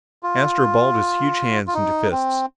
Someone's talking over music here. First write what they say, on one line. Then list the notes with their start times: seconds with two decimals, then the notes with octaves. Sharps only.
Astro balled his huge hands into fists.
0.23 F4
1.67 F4
1.74 D#4
2.12 C4